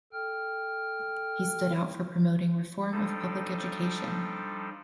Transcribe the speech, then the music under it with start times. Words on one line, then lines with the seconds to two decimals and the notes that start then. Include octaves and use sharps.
He stood out for promoting reform of public education.
0.13 A4 G5 F6
2.92 F3 G3 D4 D#4 A4